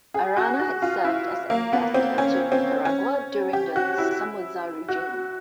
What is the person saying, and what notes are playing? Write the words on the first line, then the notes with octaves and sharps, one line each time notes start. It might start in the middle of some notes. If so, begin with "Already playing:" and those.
Arana had served as the ambassador to Nicaragua during the Somoza regime.
G#4
F#4
F#4
F4
E4
A#3
B3
C4
C#4
C4
C#4
G4
F#4
E4
F#4